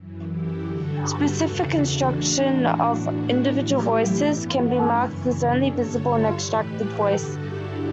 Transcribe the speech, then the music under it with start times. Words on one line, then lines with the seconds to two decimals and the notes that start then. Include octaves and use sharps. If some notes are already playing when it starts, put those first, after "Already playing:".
Specific instruction of individual voices can be marked as "only visible in extracted voice".
Already playing: F#2 E3
0.28 E4 G4
0.64 G2 D3 F#4 A4
0.99 G4 B4
1.34 E2 C#3 E3 F#4 A4
1.70 D4 F#4
2.06 A2 E3 D4 F#4
2.41 D4 F#4
2.76 A2 E3 D4 F#4
3.12 D4 F#4
3.48 A2 E3 E4 G4
3.83 A3
4.19 G2 E3 B3
4.54 A3 C#4
4.90 F#2 C#3 E3
5.26 B3 D4
5.61 G2 D3 A4 C#5
5.96 A4 C#5
6.31 A2 E3 G4 B4
7.03 G2 D3 F#4 A4
7.38 E4 G4